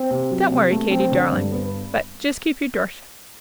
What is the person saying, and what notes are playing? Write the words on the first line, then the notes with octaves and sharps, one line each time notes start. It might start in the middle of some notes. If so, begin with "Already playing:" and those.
Don't worry, Katy, darling, but just keep your door shut.
Already playing: C4
C3
F#3
C3
A3
C4
D3
G2
B3